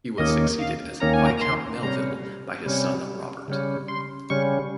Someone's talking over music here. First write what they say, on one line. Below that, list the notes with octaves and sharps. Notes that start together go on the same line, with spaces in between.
He was succeeded as Viscount Melville by his son Robert.
D#2 D#3 A#3 C#4 D#5
F5
D#2 D#3 A#3 C#4 A#5
G#5
A#5
A#5
C6
C3 G3 C#4 A#5
C3 G3 C#4
C#3 G3 C#4
C6
C#3 G3 C#4 C#6